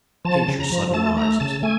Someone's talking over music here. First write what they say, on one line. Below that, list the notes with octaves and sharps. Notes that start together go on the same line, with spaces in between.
I hate your sudden rises.
F3 A5
C#3
A#5
F3
A3 A5
A3 A#5
C#3 A5
A3 G#5